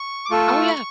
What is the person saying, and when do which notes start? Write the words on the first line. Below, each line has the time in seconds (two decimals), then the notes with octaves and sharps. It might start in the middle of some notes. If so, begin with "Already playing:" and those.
Oh, yeah.
Already playing: C#6
0.25 D6
0.30 A3 F4 A4 C#6